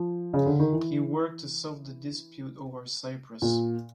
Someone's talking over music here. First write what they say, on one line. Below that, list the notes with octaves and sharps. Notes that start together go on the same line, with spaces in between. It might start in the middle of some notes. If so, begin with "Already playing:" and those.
He worked to solve the dispute over Cyprus.
Already playing: F3
C#3
D3
D#3
E3
A#2